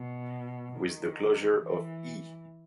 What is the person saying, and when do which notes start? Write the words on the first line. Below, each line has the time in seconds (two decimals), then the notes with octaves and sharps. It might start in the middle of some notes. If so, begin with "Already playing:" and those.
With the closure of E!
Already playing: B2
0.75 D#3
1.59 E3